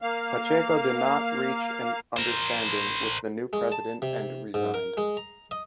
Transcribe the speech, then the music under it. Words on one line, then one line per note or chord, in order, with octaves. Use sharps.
Pacheco did not reach an understanding with the new president and resigned.
A#3 F5
A#4 C5
G#3
A5
C3
G#2
A#4
G#3
A#5
D#5